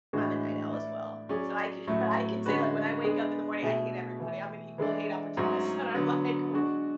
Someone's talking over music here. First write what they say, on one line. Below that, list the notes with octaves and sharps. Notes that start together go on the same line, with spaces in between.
I'm a night owl, as well. So, I ca I can say, like, when I wake up in the morning, I hate everybody, I'm an equal hate opportunist, and I'm like, "Oh,"
A2 E3 G#3 D4 F#4
A3 E4 B4 D5
F#3 C#4 G#4 D5
A2 F#3 A3 C#4
D3 G#3 C#4 F#4 B4
G#3 B3 D4 G#4
B2 A3 E4 G#4
E3 A3 E4
E3 G#3 D4 A4 D5
G#2 F#3 A3 C#4 F#4
D3 F#3 B3
G#3 D4 F#4